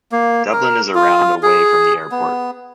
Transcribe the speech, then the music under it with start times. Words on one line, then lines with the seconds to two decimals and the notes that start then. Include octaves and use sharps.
Dublin is around away from the airport.
0.12 A#3
0.53 A#4
0.95 F4
1.43 G#4
2.12 B3